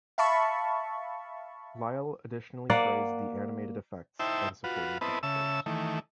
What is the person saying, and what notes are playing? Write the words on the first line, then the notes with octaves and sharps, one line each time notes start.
Lyle additionally praised the animated effects and supporting characters.
E5 F5 A5 B5 C#6
A#3 D5 F#5
D#4 E4 C5 E5 G5 A5
F4 F#4 B4
B3 C4 E4 B4 D#5 A5
C#3 E5 A5 E6
D#3 E3 A3